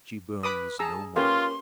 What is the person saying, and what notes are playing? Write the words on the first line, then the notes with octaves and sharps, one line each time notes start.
"She burns no more."
B4 B5 D6 D#6
G#4 A5 A#5 E6
A#3 C#4 F4 G4 B4 F5 C6